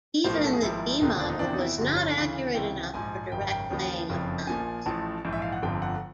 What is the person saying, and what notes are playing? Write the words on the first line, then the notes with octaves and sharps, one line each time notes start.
Even the D model was not accurate enough for direct laying of guns.
B1 A2 F3 C5
A#4
A4
G#4
G#1 G#2 F3 E4
E1 D#2 D3 F3 D#4
D4
D#4
E2 C3 D#3 D4
D#4
E4
G1 F2 D3 F#4
G4
C#5
D2 C#3 E3 F5
C#2 C3 E3 G5
A#1 G#2 F3 G#5
G#1 F#2 C#3 G5
G5
D#2 C#3 F3
F#1 F2 C#3 F3
A#1 A#2 F3 G#5
A1 A2 F3 A5
A#1 G#2 E3
E5
F5
F#5
G1 F2 D3 F3 G5
F#5